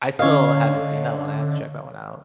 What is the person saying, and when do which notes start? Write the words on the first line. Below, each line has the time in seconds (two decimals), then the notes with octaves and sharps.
I still haven't seen that one, I have to check that one out.
0.19 D3 C#4 C#5 D#5 F5